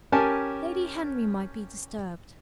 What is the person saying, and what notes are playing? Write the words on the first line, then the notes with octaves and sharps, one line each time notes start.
"Lady Henry might be disturbed."
C#4 G4 A#4 G#5 A5